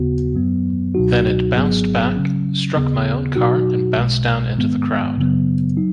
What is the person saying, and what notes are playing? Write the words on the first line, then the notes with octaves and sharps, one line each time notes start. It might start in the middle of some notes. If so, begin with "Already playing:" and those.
Then it bounced back, struck my own car and bounced down into the crowd.
Already playing: D#2 C#3 B3 F#4
F#2 F#3 B3
C#2 B2 F#3 D#4 F#4
G#1 G#2 F#3 B3 G#4
C#3 F#3 C#4
D#2 C#3 B3 G#4
B2 F#3 D#4 F#4
B1 B2 G#3
G#2 D#3 G#3 B3
F#2 C#3 F#3 B3
F#3 D#4